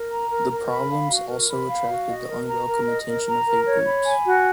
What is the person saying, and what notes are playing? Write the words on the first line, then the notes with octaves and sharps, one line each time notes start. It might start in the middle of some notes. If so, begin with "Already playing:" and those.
The problems also attracted the unwelcome attention of hate groups.
Already playing: A#4
A#5
A#4
A#4
B5
F5
F#4
A#4
B5
F5
F#4
D#5
A#4
A#5
A#4
D#5
A#4
A#5
A#4
C#5
B5
G#5
F#4